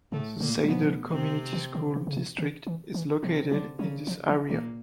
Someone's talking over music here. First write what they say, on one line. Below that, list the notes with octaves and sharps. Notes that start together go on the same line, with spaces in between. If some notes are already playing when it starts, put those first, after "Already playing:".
The Saydel Community School District is located in this area.
A2 C#3 A3
A#2 D3 A#3
F#3
B2 F3 B3
C3 C4
E3
D3
C#3
C#3
C3
D#3
E3
E3
C3 F3 C4
D3 F#3 D4
C#3 F#3 C#4
F3
F3
A#2 E3 A#3